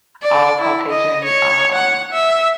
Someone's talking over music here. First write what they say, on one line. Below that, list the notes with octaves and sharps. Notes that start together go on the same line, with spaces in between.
all Caucasian, um,
D5
E4
D#5
C#5
F#5
E5